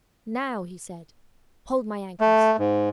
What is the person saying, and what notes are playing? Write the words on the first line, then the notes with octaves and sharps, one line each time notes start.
"Now," he said, "hold my ankles."
A3
G#2